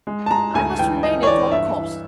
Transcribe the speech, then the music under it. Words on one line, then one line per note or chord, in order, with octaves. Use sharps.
I must remain at all costs!
G#3
A5
G#3 A#5
D2 G#5
E3 G5
E3 D#5
C#5
E3 D5
G2 E5
E3